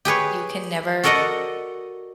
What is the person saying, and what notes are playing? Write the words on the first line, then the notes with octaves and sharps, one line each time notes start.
you can never
G4 G#4 B4 C#5
F#4 A4 A#4 D5 D#5 F#5